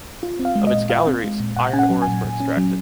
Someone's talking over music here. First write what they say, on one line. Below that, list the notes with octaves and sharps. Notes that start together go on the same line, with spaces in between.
Of its galleries, iron ores were extracted.
F4
C4
F5
G#3
D#5
A#2
F4 F5
C4
G#3
A#2
A#2 F#5
C#4 G#5
F#5
F#3
G#5
A#2
A#2
C#4
F#3